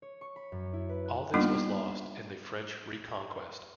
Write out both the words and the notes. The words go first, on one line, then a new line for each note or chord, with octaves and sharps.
All this was lost in the French reconquest.
C#5
C#6
B5
F#2
E4
B4
F#6
G3 A#3 B3 D4 D#4 F4